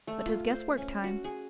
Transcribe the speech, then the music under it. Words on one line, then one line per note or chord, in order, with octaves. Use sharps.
"But 'tis guesswork time."
A3
F4
C5
C#4
F#4
G#4